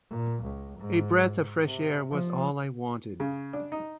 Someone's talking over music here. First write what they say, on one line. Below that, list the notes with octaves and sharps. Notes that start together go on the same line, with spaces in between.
A breath of fresh air was all I wanted.
A#2
C#2
G#2
C3
F3
C#3
D4
D#4